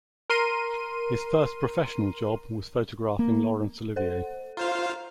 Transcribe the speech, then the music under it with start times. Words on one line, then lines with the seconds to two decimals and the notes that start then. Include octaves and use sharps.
His first professional job was photographing Laurence Olivier.
0.30 A#4 C6 D#7
3.19 A#3
3.96 A4 C5 F#5
4.57 F4 C5 F5 A#5